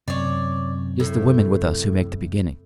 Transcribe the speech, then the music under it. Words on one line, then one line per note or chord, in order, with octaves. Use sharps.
It is the women with us who make the beginning.
F#2 C3 C#5 D5
A2